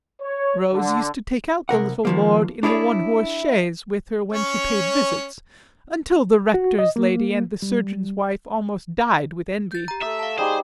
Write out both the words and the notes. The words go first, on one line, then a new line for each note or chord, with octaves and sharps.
Rose used to take out the little Lord in the one-horse chaise with her when she paid visits, until the Rector's lady and the Surgeon's wife almost died with envy.
C#5
D3
C2 A#2 A#4 F#5
D#3 F3 A#3
D4 E4 G#4 C#5 D5
C#4 C#5
F#4
D#5
A#3
G3
G6 A6
G4 A#5
A3 E5 D#6
F5 A5
G3 D#4 G4 G#4 C5